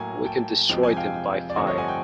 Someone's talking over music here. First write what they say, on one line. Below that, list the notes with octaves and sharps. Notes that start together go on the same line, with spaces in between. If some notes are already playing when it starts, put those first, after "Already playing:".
We can destroy them by fire.
Already playing: A2 F#3 A#3 G#5 A#5
G5 A5
F2 C3 F3 G#3 G5
G#5
F5 G5
D5
G2 D3 F3 A3 C4 C#5 D#5
C#5 D#5
F#5 G#5
G5